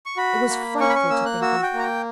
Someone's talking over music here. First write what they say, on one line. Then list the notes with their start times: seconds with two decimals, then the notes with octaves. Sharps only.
It was frightful to think of.
0.06 C#6
0.17 F#4 B5
0.49 A#3
0.80 C#4 C#6
0.89 B5
0.96 C#6
1.10 A#3 E6
1.26 F#6
1.41 F#4 E6
1.63 G5
1.74 A#3 A#5
1.83 G5